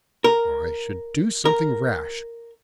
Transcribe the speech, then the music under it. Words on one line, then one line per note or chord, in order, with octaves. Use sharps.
"I should do something rash."
A#4
A#4